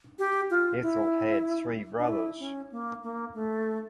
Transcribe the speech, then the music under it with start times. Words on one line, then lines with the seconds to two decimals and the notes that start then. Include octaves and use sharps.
Ethel had three brothers.
0.19 G4
0.50 F4
0.82 E4
1.99 D4
2.08 E4
2.40 C#4
2.71 A#3
3.03 A#3
3.34 A3